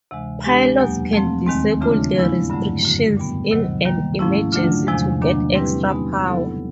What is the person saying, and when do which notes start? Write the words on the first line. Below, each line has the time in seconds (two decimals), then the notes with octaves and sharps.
Pilots can disable the restrictions in an emergency to get extra power.
0.11 D2 C3 E3 G#3
0.44 G#3 B3 D4 G4
0.79 E2 B2 F#3 A#3
1.13 F3 A3 C4
1.46 D#2 D#3 G#3 C4
1.81 C#3 E3 A3 D4 F4
2.15 A2 F3 G#3 B3 E4
2.50 G2 D3 F#3 A3
2.82 F#2 D3 F#3
3.17 A#2 G3 B3
3.51 D2 C3 D#3 F#3
3.85 D#3 G3 A#3
4.19 G#2 F3 A3 C#4 E4
4.52 D3 F#3 A3 D4 F4
4.87 E2 C3 F3 G#3
5.22 D#3 F#3 A#3 D4
5.55 G3 C4 E4 G4 B4
5.89 G#3 B3 D#4
6.23 C#3 F#3 B3 E4 A4